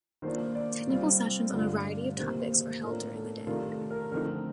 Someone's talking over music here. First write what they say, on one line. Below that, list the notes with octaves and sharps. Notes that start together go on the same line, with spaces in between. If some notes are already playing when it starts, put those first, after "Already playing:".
Technical sessions on a variety of topics are held during the day.
D#3 A#3 D4 F4 C5
D5
C3 G3 C4 F4
G2 D3 A3 D4 F4
C3 D#3 A#3 C5
C5
A2 A3 D4 F4 A#4
A4
C3 D#3 A3 D4 F4 A#4
A4
A#4
D3 F3 A3 C4 D#4 A#4